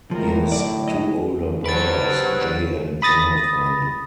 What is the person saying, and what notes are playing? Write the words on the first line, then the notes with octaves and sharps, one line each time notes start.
He has two older brothers, Jay and Jonathan.
A2 F3 G#3 A#4
F#2 D3 F#3 D5
F#3 D#5
F#3 G4 B4 C5 A6 D7
B5 D#6 A6 A#6